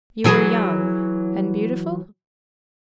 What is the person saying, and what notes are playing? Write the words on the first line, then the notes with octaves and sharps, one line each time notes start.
"You were young, and beautiful?..."
E3 F#3 G#4